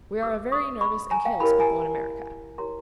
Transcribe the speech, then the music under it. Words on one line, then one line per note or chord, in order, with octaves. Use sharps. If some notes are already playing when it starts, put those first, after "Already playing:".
We are a very nervous and careless people in America.
D#4 G4 B4 D6 E6
C#6 D#6
B5 C#6
G#5 A#5
F5 G5
E4 G4 A#4 C#5 A5 B5
G#5 A#5
E4 G4 A#4 C#5 A#5 C6